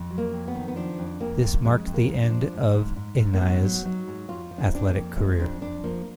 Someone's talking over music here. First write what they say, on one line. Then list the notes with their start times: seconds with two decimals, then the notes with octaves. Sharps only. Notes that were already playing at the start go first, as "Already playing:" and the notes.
This marked the end of a Nia's athletic career.
Already playing: F2
0.11 F#3
0.18 A#3
0.33 F2
0.48 B3
0.55 D#3
0.68 B3
0.76 F3 D4
0.99 F2
1.20 F2 A#3
1.43 F2
1.65 F2 G#3
1.86 F2
1.94 A#3
2.09 F2
2.23 D4
2.30 F3
2.53 G#2
2.74 G#2
2.96 G#2
3.19 G#2
3.33 A#3
3.41 F#3 B3
3.63 F#3
3.85 F#3 D#4
4.07 G#2
4.29 F2 F4
4.51 F3
4.58 D4
4.66 D#4
4.74 F2 D4
4.88 A#3
4.95 F2
5.17 F3 G#3
5.39 F2 D4
5.61 F2 D4
5.84 F3 A#3